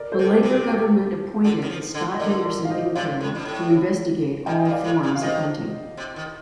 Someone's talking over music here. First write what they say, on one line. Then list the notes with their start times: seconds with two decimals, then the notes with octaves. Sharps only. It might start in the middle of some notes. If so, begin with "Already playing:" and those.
The Labour government appointed the Scott Henderson Inquiry to investigate all forms of hunting.
Already playing: A#4 D5
0.12 A4 C5
0.19 C3
0.22 A4
0.31 G4 A#4
0.43 C3
0.50 G4
0.69 G4
1.44 D3
1.62 D#3
1.70 F3
1.94 D3
2.14 D#5
2.19 D3 A#4 D5
2.45 A#4 D5
2.65 F5
2.70 C5 D#5
2.95 C3 D5 F5
3.21 A2
3.35 G2
3.45 A2
4.46 G2 D#5 G5
4.62 G2 D#5
4.71 D5 F5
4.84 A2
5.03 A#2
5.15 F5
5.21 D#3 C5 D#5
5.97 C3
6.16 D#3